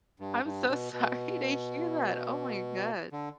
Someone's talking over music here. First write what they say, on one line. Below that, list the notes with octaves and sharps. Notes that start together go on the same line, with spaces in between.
I'm so sorry to hear that, oh my god.
G2
G2
B2
B2
D3